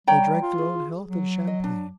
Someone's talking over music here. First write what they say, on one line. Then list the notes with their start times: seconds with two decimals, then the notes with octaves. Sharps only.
They drank their own health in champagne.
0.07 G3 C#5 G5 A#5
0.42 F4
0.58 G#4
1.06 F#3
1.47 D#5
1.64 D4